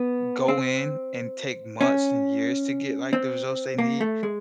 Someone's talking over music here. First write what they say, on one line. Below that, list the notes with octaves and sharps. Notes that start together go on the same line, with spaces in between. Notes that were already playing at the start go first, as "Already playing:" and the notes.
go in and take months and years to get, like, the results they need.
Already playing: B3
C4
C#4
C4
A#3
A3
G#3